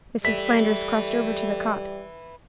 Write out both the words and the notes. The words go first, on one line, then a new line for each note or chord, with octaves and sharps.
Mrs. Flanders crossed over to the cot.
G3 A3 B4 E5 B6